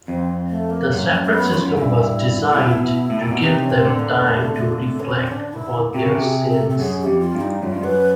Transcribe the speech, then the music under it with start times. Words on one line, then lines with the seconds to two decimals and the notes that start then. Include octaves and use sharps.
The separate system was designed to give them time to reflect upon their sins.
0.07 F2 C4
0.49 A3
0.70 A#3
0.91 F#2 A#3
1.13 A#3
1.24 A#3
1.33 B3
1.54 F4
1.65 F#2
1.75 G2 E4
2.53 C3
2.59 B2
3.10 A2
3.21 A#2
3.32 B2
3.42 C3 D#4
3.64 C#4
3.70 C4
3.85 D3
3.99 A#3
4.28 A3
4.54 A3
4.72 A#3
4.82 A3
5.00 C#4
5.11 C4
5.27 C#4
5.32 D4
5.53 E4
5.94 C3 F#4
6.05 C#3
6.14 C3
6.23 G#4
6.50 A4
6.70 A4
6.79 F#2 G#4
7.00 G4
7.06 F2
7.20 F4
7.35 G2
7.41 D#4
7.62 F#2 F4
7.72 G2
7.81 F#2 B4